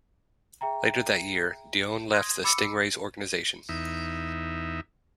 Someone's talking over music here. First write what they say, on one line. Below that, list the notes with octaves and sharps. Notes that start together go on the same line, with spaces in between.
Later that year, Dionne left the Stingrays organization.
G#4 E5 G5 A#5
C6 D#6 G#6 A#6
B5 D6 E6 C#7
E2 D#4 E5